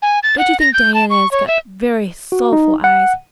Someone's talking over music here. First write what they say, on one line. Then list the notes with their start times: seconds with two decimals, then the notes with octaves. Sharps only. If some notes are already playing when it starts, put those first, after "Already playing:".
Don't you think Diana has got very soulful eyes?
0.02 G#5
0.23 A6
0.38 F#5
0.60 A#6
0.74 G6
0.94 A5
1.10 C#6
1.31 C#5
1.48 E5
2.32 F#4
2.53 D#4
2.84 F#5